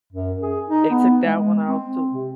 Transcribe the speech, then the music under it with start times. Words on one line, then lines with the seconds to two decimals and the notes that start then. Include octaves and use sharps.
They took that one off too.
0.13 F#2
0.43 G#4
0.70 D#4
0.91 B3
1.24 G#3
1.66 C4
2.12 C3